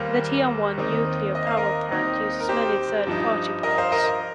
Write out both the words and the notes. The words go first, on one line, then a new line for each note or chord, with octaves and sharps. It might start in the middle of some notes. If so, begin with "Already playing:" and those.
The Tianwan Nuclear Power Plant uses many third party parts.
Already playing: D#2 D#3 G3 A#3 C5 F5
D#2 D#3 C4 D#4
D#5
F5
A#4 D#5
D#2 D#3 C4 D#4
A#4
G4 C5
G2 F3 D#4
A#4 D#5
C5 F5
A#4 D#5